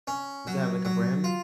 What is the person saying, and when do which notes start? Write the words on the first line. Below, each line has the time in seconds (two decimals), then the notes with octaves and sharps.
is that, like, a brand?
0.07 C#4
0.47 F#3
0.85 F#3
1.24 F4